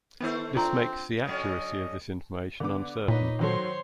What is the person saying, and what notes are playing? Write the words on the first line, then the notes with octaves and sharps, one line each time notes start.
This makes the accuracy of this information uncertain.
D#3 A3 B3 E4 C5
C4 D4 F4 A#5
D3 F#3 C#4 D#5
D3 B3 D6
A#2 D#4 B4 C#5
D#3 F#3 A4 C5 C#5 C6